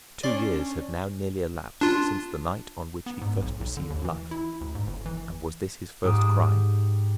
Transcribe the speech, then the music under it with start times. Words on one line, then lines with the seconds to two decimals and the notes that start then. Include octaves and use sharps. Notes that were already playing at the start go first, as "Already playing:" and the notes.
Two years had now nearly elapsed since the night on which he first received life; and was this his first crime?
0.24 C#4 D4 D5 C6
1.81 D4 F4
3.06 B3
3.21 G#2
3.42 B1
3.61 B1
3.77 D3
3.90 D#2
4.05 E3
4.31 E4
4.61 D2
4.75 G#2
4.87 G1
5.06 E3
6.04 G#2 G4 D#6